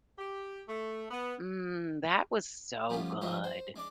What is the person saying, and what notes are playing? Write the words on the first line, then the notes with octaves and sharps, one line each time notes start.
"Mm, that was so good."
G4
A3
B3
F3 G3 A3 B3 C#4 F4
F3 G#3 F4 F#4 E5
C5
G#3 D4 D5